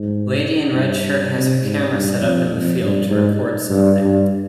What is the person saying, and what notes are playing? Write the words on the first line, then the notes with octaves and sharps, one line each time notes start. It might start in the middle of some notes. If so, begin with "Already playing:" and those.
Lady in red shirt has her camera set up in the field to record something.
Already playing: G#2
G2
G2
C3
G#2
G2
F2
F2
G2
G#2
G2
G2